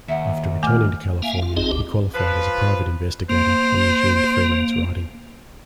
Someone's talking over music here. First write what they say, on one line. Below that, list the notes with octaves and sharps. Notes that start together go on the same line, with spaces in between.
After returning to California, he qualified as a private investigator, and resumed freelance writing.
D#2 E5 F#5
A3 G#5 D6 F6
A#3 E5 F5 G#5
F4
A1 C4 D#4 F4 G#4 D#5
G1 D2 G4
F3 B4
A#3 C5